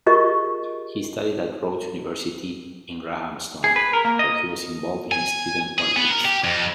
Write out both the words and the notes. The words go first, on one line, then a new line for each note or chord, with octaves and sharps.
He studied at Rhodes University in Grahamstown, where he was involved in student politics.
F4 G4 G#4 A#4 D#5 C#6
G#4
B4
A#4
A#3
D#5
G#5
G#4
B3
A#4
G4
F2